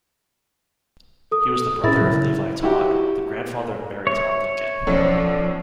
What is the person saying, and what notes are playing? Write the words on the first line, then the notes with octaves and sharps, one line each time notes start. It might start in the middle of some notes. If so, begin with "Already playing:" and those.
He was the brother of Levi Todd, the grandfather of Mary Todd Lincoln.
A4 D#6
A2 C#4 E4 G#4 A#4 E5 B5 A6
C#3 F#3
E4 F#4 G4
C#5 E5
B1 F3 C#4 A4 D5